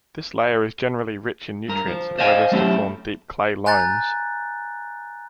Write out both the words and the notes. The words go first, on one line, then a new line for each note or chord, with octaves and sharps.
This layer is generally rich in nutrients and weathers to form deep clay loams.
G2 A#4
F3
C5 D5 D#5 F5 G5 G#5
F#3 A3 C#4 E4 G4
G#5 A#5 F#6 G6 A6